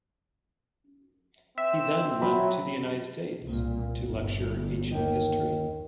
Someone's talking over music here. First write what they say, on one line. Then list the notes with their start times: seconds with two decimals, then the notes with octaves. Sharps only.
He then went to the United States to lecture ancient history.
1.58 C4 E5 E7
2.22 F#3 B5
3.44 C2 A#2
4.03 G1
4.91 D#2 D#3